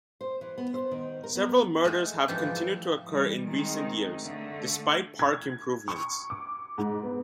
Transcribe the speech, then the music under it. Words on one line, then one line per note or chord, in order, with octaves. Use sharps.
Several murders have continued to occur in recent years, despite park improvements.
C5
E3
B3
C5
D#3
A#4
B3
B3
G#3 A3 F#4 G#4
G#2 E3 F3 D4 D#4 G4
A3
E3 G3
D#3 G#3 C4 D#4
D3 A3
G#6
C#6
D6
G#2
B3